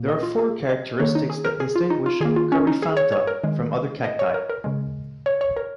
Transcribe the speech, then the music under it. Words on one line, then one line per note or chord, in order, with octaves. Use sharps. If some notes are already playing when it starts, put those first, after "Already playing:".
There are four characteristics that distinguish "Coryphantha" from other cacti.
Already playing: A#2 A#3
D#5
F4
G#4
D#5
D#3 A#3 C#5
D#4
G#4
A#4
G#4
F4
D#4
F4
D#3 A#3 G#4
F4
C#4
D#4
G#4
C#5
C#5
A#4
D#3 G#3
D#5
C#5
A#4
A#4
C#3 G#3
C#5
C#5
A#4